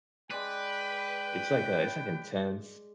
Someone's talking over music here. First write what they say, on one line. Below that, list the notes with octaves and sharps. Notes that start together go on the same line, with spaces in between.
it's, like, a it's like intense,
G#3 B4 D5 G5